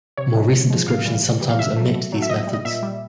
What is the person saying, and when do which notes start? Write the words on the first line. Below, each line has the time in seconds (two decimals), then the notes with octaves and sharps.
More recent descriptions sometimes omit these methods.
0.17 C3 C#5
0.35 F3 G#3
0.53 C3
0.70 F3 G#3
0.88 A2 F5
1.06 E3 G3
1.23 A2
1.41 E3 G3
1.49 F5
1.59 B2 E5
1.76 F#3 A3
1.95 B2
2.12 F#3 A3
2.22 E5
2.29 A#2 D#5
2.47 G3
2.53 D#5
2.65 A#2 E5
2.82 G3